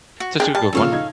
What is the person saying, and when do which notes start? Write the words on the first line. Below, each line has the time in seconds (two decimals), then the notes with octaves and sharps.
That's a good one.
0.20 F#4
0.40 D4 D#4 G4 G#4
0.55 G3 A5
0.73 A#2 C#3 F3 A4 C#5 F5
0.92 D#4 G#6